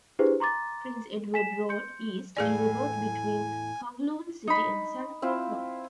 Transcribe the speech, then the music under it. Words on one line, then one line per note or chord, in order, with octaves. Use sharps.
Prince Edward Road East is a road between Kowloon City and San Po Kong.
D4 E4 G4 G#4 B4 C5
A#5 C6 D6 A6
G#5 B6 E7
C6 G6 C#7
E2 A2 A3 G#4 D5 G#5
D#4 B5
C4 E4 F4